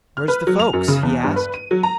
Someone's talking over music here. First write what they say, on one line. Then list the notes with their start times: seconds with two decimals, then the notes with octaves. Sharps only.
"Where's the folks?" he asked.
0.17 F6
0.28 B4
0.47 F#3
0.59 F7
0.73 F#2
0.88 C#3
1.03 E2
1.24 G2
1.36 B4
1.54 D#7
1.71 F#3
1.83 A#5